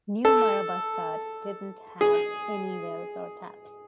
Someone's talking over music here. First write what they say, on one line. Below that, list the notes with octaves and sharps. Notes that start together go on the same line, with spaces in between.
New Marabastad didn't have any wells or taps.
A4
G#4